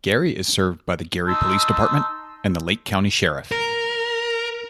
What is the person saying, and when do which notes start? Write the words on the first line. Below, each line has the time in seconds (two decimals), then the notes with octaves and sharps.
Gary is served by the Gary Police Department and the Lake County Sheriff.
1.26 D#4 A5 C6 E6
3.52 A#4